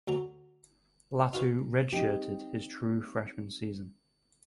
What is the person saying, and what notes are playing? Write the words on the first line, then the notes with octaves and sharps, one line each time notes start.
Latu redshirted his true freshman season.
D2 F#3 A#5
D#4 F4 F#4 B4
C4 D#4 G4